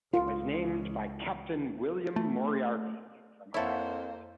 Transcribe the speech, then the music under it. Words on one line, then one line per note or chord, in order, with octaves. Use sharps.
It was named by Captain William Moriarty, from Ireland.
C#2 F4
A3
F2 A#3 E4 A4 C5 C#5 E5 F#5